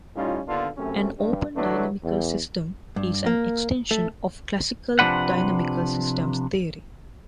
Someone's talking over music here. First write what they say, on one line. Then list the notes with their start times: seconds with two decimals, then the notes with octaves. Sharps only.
An "open dynamical system" is an extension of classical dynamical systems theory.
0.16 A2 G3 C#4 D#4 F4
0.47 D#2 D3 B3 D4 F4
0.77 F#2 C3 A3 C4 C#4
1.18 G2
1.56 D3 E3 F#3 A3 D4 B4
2.02 E2
2.96 G2
3.26 A#3
3.91 A3
4.99 C3 F3 D4 B4 F#5